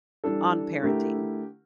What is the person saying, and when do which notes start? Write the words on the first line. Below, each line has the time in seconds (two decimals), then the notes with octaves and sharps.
on parenting.
0.24 E3 G3 D4 A4
0.83 D3 A3 E4 G4 A#4